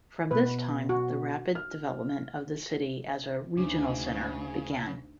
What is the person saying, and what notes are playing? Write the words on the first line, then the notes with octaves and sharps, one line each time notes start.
From this time the rapid development of the city as a regional center began.
B2 B4
F#4
F6
D2 C#3 D4 D#4